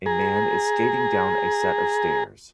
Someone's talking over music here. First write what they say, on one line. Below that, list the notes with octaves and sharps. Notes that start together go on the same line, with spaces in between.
A man is skating down a set of stairs.
G#4 A#5